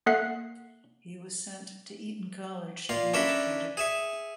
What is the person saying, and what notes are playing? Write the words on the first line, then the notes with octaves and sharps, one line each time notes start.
He was sent to Eton College to be educated.
A#3 A4 E5 F#5 F#6 C7
A#2 F4 F5
C#4 D4 A4 A#4 E5 B5
G#4 E5 C#6